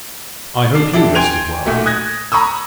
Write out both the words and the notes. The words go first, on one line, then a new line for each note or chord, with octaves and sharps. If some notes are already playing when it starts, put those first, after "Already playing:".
I hope you rested well.
D4 C7
D4 E4 G4 A4
G5 G#5 C6 G#6 D7 F7
B1 A#2 A3 F#4
D#6 F#6 G#6 A#6
A#5 B5 C#6 D#6 E6